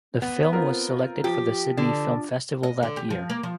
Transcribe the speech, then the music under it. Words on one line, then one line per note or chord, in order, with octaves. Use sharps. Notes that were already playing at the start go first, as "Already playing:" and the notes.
The film was selected for the Sydney Film Festival that year.
B3
C4 F4 A#4
F3 G4
D3
D#5
D3
G4
F3
A#3
F3